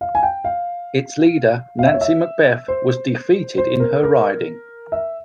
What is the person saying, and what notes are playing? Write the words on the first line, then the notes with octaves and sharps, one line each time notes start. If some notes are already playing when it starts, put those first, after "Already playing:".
Its leader, Nancy MacBeth, was defeated in her riding.
F5
G#5
G5
F5
F5
E5
C#5
E5
C5
C5
A#4
A#4
E5